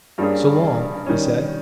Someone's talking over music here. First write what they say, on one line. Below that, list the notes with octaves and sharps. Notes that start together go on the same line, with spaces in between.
"So long," he said.
G2 G3 A#3 C#4 G#4
D#3 G3 C#4